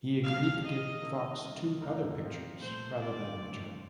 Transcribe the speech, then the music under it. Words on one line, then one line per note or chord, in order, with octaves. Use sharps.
He agreed to give Fox two other pictures rather than return.
D2 C3 G3 D4 F5
F3 C4 D#4 D#5
D#3 A#3 D#4 A4
C2 C3 D#3
F2 D3 A3 D#4 A#4
F3 C4 F4
C2 A#2 A3 C5
C2 C3 D#3 G3 D5
G2 D3 A3 C4 F4